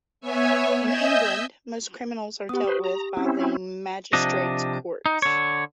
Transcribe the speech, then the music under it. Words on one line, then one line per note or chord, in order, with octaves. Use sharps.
In England, most criminals are dealt with by the Magistrates’ Courts.
B3 C#5 E5 G#5
D#5 E5 G#5 E6 G6
B3 G4 D#6
B4 C5
A#5
C4 C#4 E4
C3 F3 D4 D#5
D#4
D3 C#5